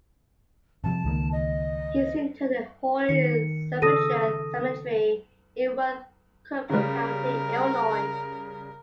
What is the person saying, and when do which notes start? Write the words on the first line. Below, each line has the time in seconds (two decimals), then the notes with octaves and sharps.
He is interred in Holy Sepulchre Cemetery in Worth, Cook County, Illinois.
0.84 C3 F3 G3 A5
1.04 C#2 D#3 A#3
1.32 D#5
3.09 D#3 C#7
3.82 C#3 A4 D#6 A#6 D#7
6.69 C#3 G3 A#4